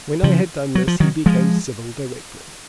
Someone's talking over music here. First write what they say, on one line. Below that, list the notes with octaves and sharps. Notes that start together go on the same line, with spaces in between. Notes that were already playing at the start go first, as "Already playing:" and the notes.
When I had done this he became civil directly.
C#3 F3
F#3
F3
D#3 F#3
F3 G#3